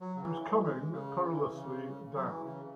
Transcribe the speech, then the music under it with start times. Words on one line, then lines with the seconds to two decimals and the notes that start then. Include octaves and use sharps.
She was coming perilously down.
0.01 F#3
0.15 C#3
0.22 E3
0.42 E3
0.62 G#3
0.92 C#3
1.23 E3
1.53 C#3
1.83 C#3
2.15 F#3
2.23 E3
2.44 C#3